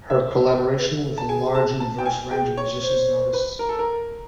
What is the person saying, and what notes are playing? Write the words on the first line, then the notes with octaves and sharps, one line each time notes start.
Her collaboration with a large and diverse range of musicians and artists.
E5
B4
A4
A5
G#4 G#5
A5
A5
G5
G#5
G#4 G5
C#5
C5
B4
A#4
A4
A#4